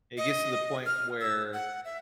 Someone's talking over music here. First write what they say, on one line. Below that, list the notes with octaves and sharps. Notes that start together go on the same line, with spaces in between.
It gets to the point where
D#5
F6
E6
F#5
E5